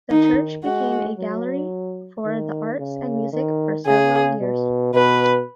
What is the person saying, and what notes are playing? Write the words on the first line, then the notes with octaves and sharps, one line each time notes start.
The church became a gallery for the arts and music for several years.
D#3 D#4
G#3 F#4
F#3
D#3
C#3
D#3
C#3 G#4
B2
B2 B4